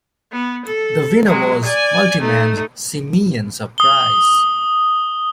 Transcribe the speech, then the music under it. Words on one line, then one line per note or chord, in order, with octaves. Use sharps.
The winner was Multiman's Simian Surprise.
B3
A4
F#3 G#3
D5 G#5
A3 D#4
D#6 G7